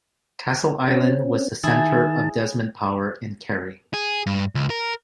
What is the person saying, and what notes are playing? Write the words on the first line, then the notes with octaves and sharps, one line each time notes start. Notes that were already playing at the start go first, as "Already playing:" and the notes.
Castleisland was the centre of Desmond power in Kerry.
C4 C#4
D#3 E4 G#4 A5
G#4
G2
C#2
A#4